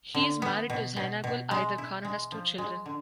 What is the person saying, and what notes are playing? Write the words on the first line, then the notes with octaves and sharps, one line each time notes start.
He is married to Zhainagul Aidarkhan and has two children.
D3
B3
B2
B2
B2
G#3
E4
G#3
F3
G#3
D3